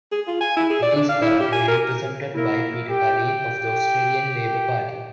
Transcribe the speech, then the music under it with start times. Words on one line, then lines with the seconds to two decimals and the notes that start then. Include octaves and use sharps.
It is currently represented by Peter Khalil of the Australian Labor Party.
0.12 G#4
0.28 F4
0.41 G#5
0.57 E4
0.70 G#4
0.82 D5
0.96 D4
1.09 F5
1.22 E4
1.40 G4
1.52 G#5
1.68 A#4
2.35 A#3 E4 A#4
2.89 G4 G5